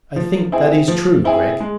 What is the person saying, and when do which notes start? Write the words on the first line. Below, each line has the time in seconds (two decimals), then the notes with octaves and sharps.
"I think that is true, Gregg!"
0.16 F3
0.52 C4 E4 G#4
0.88 F3
1.24 C4 E4 G#4
1.60 G#3